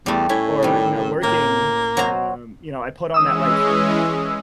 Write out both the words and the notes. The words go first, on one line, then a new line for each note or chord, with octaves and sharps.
or, you know, working, um, you know, I put on that, like,
E2 G3 A3
A2 C#4 E4
D#3 G3
A2 A#3
F#3 C5 A#5
E3 G#3 C#4 D#6 E6